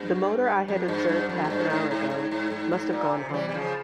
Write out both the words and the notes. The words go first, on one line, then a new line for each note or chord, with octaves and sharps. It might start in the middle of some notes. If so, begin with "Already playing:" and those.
The motor I had observed half an hour ago must have gone home.
Already playing: G2
F2
G2
G2
F2
G#2
G2
G#2
G#2
G#2
G#2
G#2
G#2
A#2
C3
F3
E3 G3
G3
C#3 F3